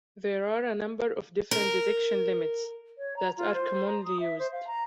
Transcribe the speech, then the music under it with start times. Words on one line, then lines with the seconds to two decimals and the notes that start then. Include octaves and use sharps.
There are a number of different "detection limits" that are commonly used.
1.51 A#4
2.98 C#5
3.16 A#5
3.37 F4
3.53 C5
3.87 A#5
4.04 D#6
4.20 E5
4.39 C5
4.52 F5
4.67 A#5